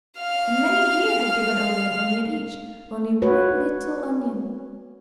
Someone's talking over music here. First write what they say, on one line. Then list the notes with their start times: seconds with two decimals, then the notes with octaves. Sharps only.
And many here have given only an onion each--only one little onion....
0.20 F5 F6
3.22 F#4 B4 C#5